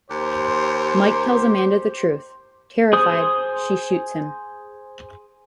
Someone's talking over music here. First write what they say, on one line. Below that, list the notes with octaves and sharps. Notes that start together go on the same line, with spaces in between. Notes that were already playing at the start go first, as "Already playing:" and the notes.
Mike tells Amanda the truth; terrified, she shoots him.
D#2 G4 C5
G#4 C5 D#6